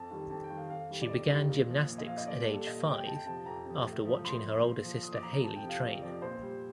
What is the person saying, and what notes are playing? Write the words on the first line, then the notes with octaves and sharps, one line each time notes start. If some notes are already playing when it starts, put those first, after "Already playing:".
She began gymnastics at age five after watching her older sister Hayley train.
Already playing: F2 A5
D#3 G3
F2 A5
G5
D#3 G3
F5
F2 F5
D#3 G3
D5
F2 D#5
D#3 G3
A#2
F3
A#2
D#5
F3 F5
D#5
A#2 D5
A4
G3
A4
A#2 D#5
G3 G5
G5
F2 A5
G5
C3 F3 A5
F2 A#5
C3 F3
A2
F3
A2 C6
F3
A#2
F3
A#2 D#6
D6
F3 A#5
A#5
F2 A5
G5
C3 F3
F5
F2 D#5
C3 F3 D5
A#2 C5
G3